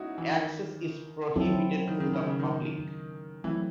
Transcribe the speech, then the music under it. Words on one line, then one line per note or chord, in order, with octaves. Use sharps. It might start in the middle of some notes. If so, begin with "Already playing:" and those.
Access is prohibited to the public.
Already playing: G#3 C#4 D#4 E4 F#4
E3
D#3
F#3 C4 E4 A4
D#3
D#3
C#3
C#3
D#3
E3 F#3 A3 C4 E4